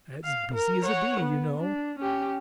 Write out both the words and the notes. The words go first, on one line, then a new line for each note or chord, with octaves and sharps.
'As busy as a bee,' you know.
F5
A#4
C#5 F#5
B3
D4
C#4 G4